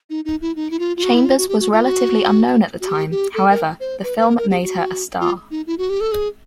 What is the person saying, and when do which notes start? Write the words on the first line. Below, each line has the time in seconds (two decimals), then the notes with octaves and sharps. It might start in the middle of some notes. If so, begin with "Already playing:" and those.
Chambers was relatively unknown at the time; however, the film made her a star.
0.10 D#4
0.25 D#4
0.41 E4
0.56 D#4
0.71 E4
0.79 F4
0.97 F4
1.03 F#4
1.14 E4
1.26 F4
1.38 F#4
1.48 G4
1.60 F#4
1.72 F4
1.83 F#4
2.81 F#4
2.87 G4
3.11 G4
3.34 A4
3.50 A#4
3.80 C5
4.03 B4
4.18 B4
4.28 A#4
4.38 A#4
4.50 G4
4.62 F#4
5.20 F4
5.51 D#4
5.67 E4
5.78 F#4
5.89 G4
6.00 A4
6.12 G#4